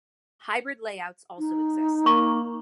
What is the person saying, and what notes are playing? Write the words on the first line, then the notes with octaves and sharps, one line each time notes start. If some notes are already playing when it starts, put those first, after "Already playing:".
Hybrid layouts also exist.
D#4
A#3 C#6